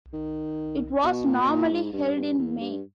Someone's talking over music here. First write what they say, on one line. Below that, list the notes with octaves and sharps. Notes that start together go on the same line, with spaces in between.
It was normally held in May.
D#3
B2
A#2
B2
A#2
G#2
G2
G2
E2
G2